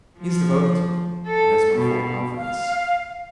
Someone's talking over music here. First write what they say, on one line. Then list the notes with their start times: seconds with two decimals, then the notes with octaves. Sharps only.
He is devoted to me, and has my full confidence.
0.19 F3
1.27 A4
1.74 B2
2.37 F5